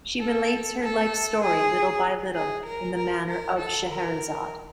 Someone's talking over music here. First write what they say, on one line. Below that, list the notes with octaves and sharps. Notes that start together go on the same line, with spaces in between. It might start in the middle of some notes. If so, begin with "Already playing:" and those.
She relates her life story little by little in the manner of Scheherazade.
A4
A4
G#4
G#4
A#4
A#4
A#4
A4
A#4